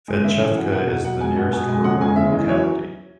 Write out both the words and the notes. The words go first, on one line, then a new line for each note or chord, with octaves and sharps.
Fedchevka is the nearest rural locality.
G#3
C#3 E5
E3
F#3 F#5
B2 F#5
B2 F#5
F#3 F#5
G#3 G#5
B2 F#5
B2 G#5
G#3 G#5
C#3 F#5
G#3 G#5
C#3 E5
E3 D#5
F#3 C#5